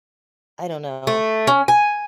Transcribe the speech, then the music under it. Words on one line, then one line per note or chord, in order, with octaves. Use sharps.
I don't know.
A3
C#4
G#5